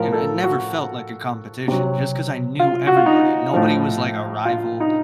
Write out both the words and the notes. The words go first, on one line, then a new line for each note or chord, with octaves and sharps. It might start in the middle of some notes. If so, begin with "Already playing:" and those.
and it never felt like a competition just 'cause I knew everybody. Nobody was, like, a rival,
Already playing: A2 F3 A#4
A4
F#4
C3 F#3
F4
F#4
F4
D#4
A2 F3
F4
D#4